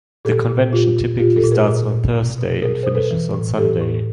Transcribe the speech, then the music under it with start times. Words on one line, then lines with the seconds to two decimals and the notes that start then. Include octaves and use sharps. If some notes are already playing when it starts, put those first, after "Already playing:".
The convention typically starts on Thursday and finishes on Sunday.
0.25 A#2 G4 A4
0.49 A#2
0.73 A#2 F4 G4
0.97 A#2
1.19 A#2 F4 G4
1.36 G4 A4
1.44 A#2
1.51 G#4 A#4
1.67 A#2
1.91 A#2
2.16 B2
2.39 B2
2.62 B2 G#4 A#4
2.83 B2 C5
2.95 A4 B4
3.11 E3
3.34 A2
3.58 E3 G4 A4
3.82 A2